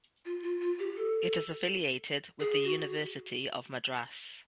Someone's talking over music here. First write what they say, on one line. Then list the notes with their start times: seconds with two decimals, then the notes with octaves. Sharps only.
It is affiliated with the University of Madras.
0.25 F4
0.43 F4
0.61 F4
0.79 G4
0.97 A4
2.40 G#4
2.64 F#4